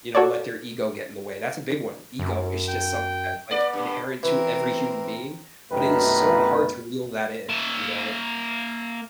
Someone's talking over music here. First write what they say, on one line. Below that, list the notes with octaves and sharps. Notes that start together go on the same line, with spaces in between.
you know, let their ego get in the way. That's a big one. Ego is just something that's, like, inherent to every human being, but, it is so hard to reel that in, you know,
F#4 A4 C#5 D5
F#2
G5
B3 D5
G2
E3 C4 A#4
C2 F#2 B2 D#3 A3 B4
A#3 E5